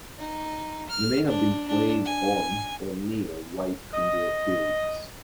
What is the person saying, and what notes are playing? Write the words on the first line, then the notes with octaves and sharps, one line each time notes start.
They may have been played on or near White Conduit Fields.
D#4
F6
D4
D4
G#5
D#5